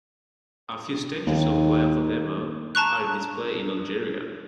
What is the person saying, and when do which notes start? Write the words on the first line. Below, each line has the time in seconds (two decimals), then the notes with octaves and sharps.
A few statues of Lalla Fatma are in display in Algeria.
1.27 D#2
2.75 A5 A#5 C#6 F#6